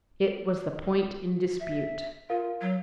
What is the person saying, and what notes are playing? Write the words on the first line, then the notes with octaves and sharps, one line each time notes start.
It was the point in dispute.
E5
F4 A#4 F5
F#3